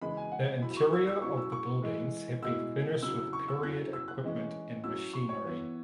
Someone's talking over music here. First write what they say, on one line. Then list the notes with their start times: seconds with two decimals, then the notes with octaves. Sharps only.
The interior of the buildings have been furnished with period equipment and machinery.
0.02 C#3 E3 G#3 B5
0.17 G#5
0.32 F#5
0.62 F#3 E4 B5
0.77 C#6
0.93 E6
1.07 E6
1.22 F#3 C#4 E4 C#6
1.37 E6
1.52 C#6
1.82 E3 G#3 E4
2.43 B2 G#3 E4 E6
3.02 C#3 F#3 E4 E6
3.18 E6
3.33 C#6
3.48 E6
3.63 F#3 C#4 E4 F#6
3.93 E6
4.08 F#6
4.23 E3 G#3 C#4
4.84 F#3 C#4 E4 E6
5.13 C#6
5.29 C#5
5.44 E3 B3 E4